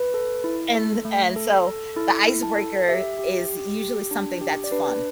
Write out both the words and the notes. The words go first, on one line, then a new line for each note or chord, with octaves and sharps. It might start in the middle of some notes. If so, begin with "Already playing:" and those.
and and, so the icebreaker is usually something that's fun.
Already playing: B4
A4
E4
A4
A3
A4
A4
E4 A4
E4
A5
A4
G4 E5
G4
G4
G4
D4
G4
D5
D4 B4